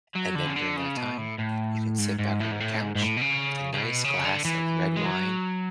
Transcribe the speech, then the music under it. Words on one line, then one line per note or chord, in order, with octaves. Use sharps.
And then during that time, you can sit back on your couch with a nice glass of red wine,
F#3
D3
C#3
D3
C#3
B2
A2
A2
G#2
G#2
A2
G#2
A2
G#2
G#2
A2
B2
C#3
C#3
B2
C#3
D3
E3
G#3
F#3